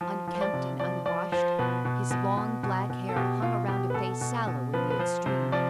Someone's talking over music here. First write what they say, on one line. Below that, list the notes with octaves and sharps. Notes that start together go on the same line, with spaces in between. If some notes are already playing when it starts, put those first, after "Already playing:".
Unkempt and unwashed, his long, black hair hung around a face sallow in the extreme.
F3
F3
C5
D5
C3
F3 D5
F3 D5
F3 C5
B2 B4
B2
B2
B2
B2
B2
A4
B2 G4
B2 F4
B2 G4
B4
B2 A4
B2
B2
F3 B4
B4
F3 C5
C3 C5
F3 D5